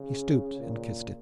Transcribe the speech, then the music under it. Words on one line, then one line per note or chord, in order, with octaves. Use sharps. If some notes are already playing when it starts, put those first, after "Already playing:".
He stooped and kissed it.
Already playing: C#3
A#2